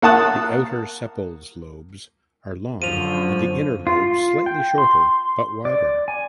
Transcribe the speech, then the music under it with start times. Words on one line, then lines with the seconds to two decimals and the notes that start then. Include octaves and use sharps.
The outer sepals lobes are long and the inner lobes slightly shorter but wider.
0.02 A#3 F#5 A5 D#6 F#6
2.82 F#2 D3 F3 D#7 F7
3.87 F4
4.46 G5
4.78 C6
5.65 D5
6.08 G#5